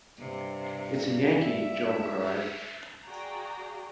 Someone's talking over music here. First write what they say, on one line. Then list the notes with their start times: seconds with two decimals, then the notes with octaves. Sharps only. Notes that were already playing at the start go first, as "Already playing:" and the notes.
It's a Yankee, Joan cried.
0.19 G2 C3
1.42 E5
3.04 F#4 G#4 D5 F5 G5 A#5